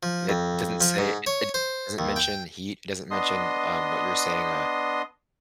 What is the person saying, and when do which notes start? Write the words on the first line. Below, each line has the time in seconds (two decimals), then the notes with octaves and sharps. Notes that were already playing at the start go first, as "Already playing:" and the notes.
And it doesn't say it it doesn't mention heat. It doesn't mention, um, what you were saying, uh
0.03 F3
0.29 F2
0.81 F3
0.98 G#2
1.27 C#5
1.54 C5
1.99 D#2
2.16 G5
3.11 B3 D4 D#5 C6 D#6